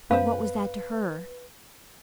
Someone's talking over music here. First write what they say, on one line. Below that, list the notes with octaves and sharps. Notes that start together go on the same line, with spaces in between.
But what was that to her?
F#2 B3 B4 C5 F5